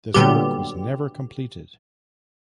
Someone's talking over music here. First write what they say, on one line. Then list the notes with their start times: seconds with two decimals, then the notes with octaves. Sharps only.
This work was never completed.
0.14 A#2 D3 F#3 G3 B3 G4